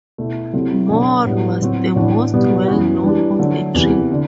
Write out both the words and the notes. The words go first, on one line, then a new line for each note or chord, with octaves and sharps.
Moore was the most well-known of the three.
B2 A3 E4
C3 F#3 A3 C4 E4
B2 F#3 A3 D4 F#4
A2 G3 B3
A2 F#3 C4 F#4
A2 E3 B3 D4 F#4
B2 G3 B3
F#2 E3 B3 F#4
E3 G3 D4
D3 F#3 A3
E2 C3 E3
D3